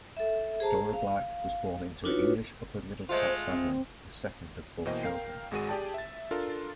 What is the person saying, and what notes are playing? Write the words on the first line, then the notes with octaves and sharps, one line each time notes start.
Dora Black was born into an English upper-middle-class family, the second of four children.
A4 E5
G#4 C5 A5 A#5
F5
D4 D#4 F4 F#4 B4 C#5
G#3 A3 F4 C5
C4
B2 E3 A#3 C5 D#5 G5
A#4 F5 G5 C7
G#1 G#3 F#4 G#4 D#7
G4 G#4 D5 G5 A5
E5 A6
D4 F4 A4 A#4